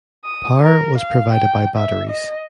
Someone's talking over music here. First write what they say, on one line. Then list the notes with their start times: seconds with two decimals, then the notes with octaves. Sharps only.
Power was provided by batteries.
0.25 D#6
0.62 A#4
0.98 F5
1.33 G5
1.77 E5
2.09 D#5